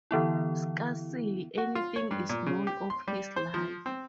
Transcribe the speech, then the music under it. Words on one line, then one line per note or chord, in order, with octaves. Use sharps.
Scarcely anything is known of his life.
D3 E3 B3 E4
F#4
F4
C#5
G2
A#2
C#3
G4
C6
G3
C5
F3
C4